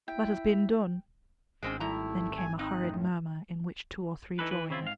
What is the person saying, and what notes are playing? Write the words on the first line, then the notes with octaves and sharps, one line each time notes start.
'That has been done.' Then came a hurried murmur, in which two or three joined.
E4 G5
G#1 G#3 C4 C#4
G3 A3 E4 A#5
G#5
C4 D#4 F#6
F#2 A2
E3 D#4 A4 B4
B4
C#3 C4 E4 F4
G#2 F5